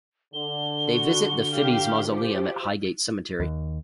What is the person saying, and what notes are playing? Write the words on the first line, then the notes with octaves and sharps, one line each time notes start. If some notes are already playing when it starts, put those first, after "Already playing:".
They visit the Phibes mausoleum at Highgate Cemetery.
D3 G7
F#4
G4 F5
F3 G4
D#2